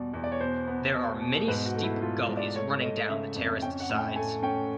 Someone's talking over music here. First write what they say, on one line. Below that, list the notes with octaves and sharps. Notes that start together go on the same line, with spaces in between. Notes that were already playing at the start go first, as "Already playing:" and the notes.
There are many steep gullies running down the terraced sides.
Already playing: E2 B2 G3 D5
E2
D5
C#5
B2 C5
B3
B2
B2
G#2 B4
F#4
A3
E4
A3 F4
G#2
D5
A3 C#5
A3 D#5
C#3 E5
F2
C#4 G5
F#5
A2
G5
A3 G#5
C#4 G5